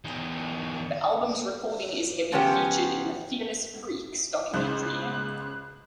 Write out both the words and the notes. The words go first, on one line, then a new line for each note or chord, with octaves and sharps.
The album's recording is heavily featured in the "Fearless Freaks" documentary.
E2 D#4
C#3 F3 B3 C#4 D4 G4
C#2 C#3 C5 F#6